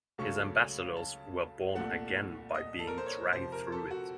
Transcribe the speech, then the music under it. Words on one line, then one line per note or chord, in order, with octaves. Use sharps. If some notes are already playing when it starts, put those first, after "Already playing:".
His ambassadors were born again by being dragged through it.
C#2 C#3 F#3 A3 C#6
A5
C2 A#2 A3 F#5
D#5
A4
A#4
C5
C#5
F2 C3 F3 C5
A#4
A4
F#4